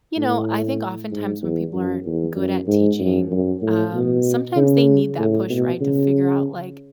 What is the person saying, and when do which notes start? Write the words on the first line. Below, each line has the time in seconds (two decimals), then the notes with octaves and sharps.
you know, I think oftentimes when people aren't good at teaching, um, sometimes they need that push, right, to figure out, like,
0.17 A2
1.11 G#2
1.43 E2
1.74 F#2
2.06 E2
2.36 F#2
2.67 G#2
2.99 F#2
3.31 F#2
3.62 A2
3.94 B2
4.56 C#3
5.19 A2
5.50 B2
5.81 C#3